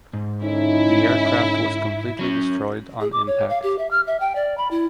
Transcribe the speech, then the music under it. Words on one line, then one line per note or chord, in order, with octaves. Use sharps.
The aircraft was completely destroyed on impact.
G#2
D3 C#4 D#4 E4
F#3 C#4
G#4
D6
C#5
F5
G4
E5
F6
E5
G5
D5
B5
E4